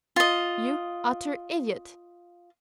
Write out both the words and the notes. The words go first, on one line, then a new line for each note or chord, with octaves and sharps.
You utter idiot!
F4 D#5